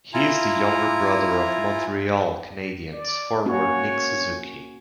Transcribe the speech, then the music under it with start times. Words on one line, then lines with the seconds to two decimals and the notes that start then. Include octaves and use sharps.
He is the younger brother of Montreal Canadiens forward Nick Suzuki.
0.14 E4 F4 G#5 A#5
2.93 D5
3.46 A#3 C#4 F#4 C#5